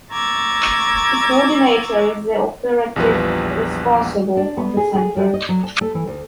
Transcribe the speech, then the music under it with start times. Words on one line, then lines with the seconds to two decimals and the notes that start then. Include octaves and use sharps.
The “coordinator” is the operative responsible of the Center.
0.12 A#5 C#6 D6 E6 G#6 A6
2.96 A#1 E2 F3 G3 B4
4.37 D4
4.57 B3
4.77 G#4
4.95 G#4
5.17 G3
5.34 D#5
5.49 F#3
5.64 A5
5.81 A3
5.95 E3
6.07 D2